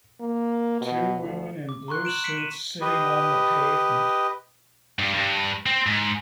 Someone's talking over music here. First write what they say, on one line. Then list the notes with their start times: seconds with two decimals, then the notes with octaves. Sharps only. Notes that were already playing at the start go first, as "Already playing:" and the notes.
Two women in blue suits sitting on the pavement.
0.21 A#3
0.81 B2
1.20 D2
1.69 D6
1.88 A#5 C6 C#6 F#6
2.05 D7 E7 F#7
2.24 B6 C#7 D7 F#7
2.37 D#7 E7
2.81 G4 B4 D#5
4.99 G2
5.14 G2
5.66 C4
5.87 G#2